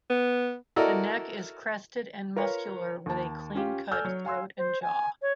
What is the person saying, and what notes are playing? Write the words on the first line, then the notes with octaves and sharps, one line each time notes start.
The neck is crested and muscular with a clean cut throat and jaw.
B3
E4 F#4 A4 A#4 D5 D#5
F4 A#4 B4 C#5
D#2 A5
C#4 F4 G4
A4 D5 G#5 E6 F6 G6
F#3 C#5
F5 G#5 C6 E6
C5
G#5
C#5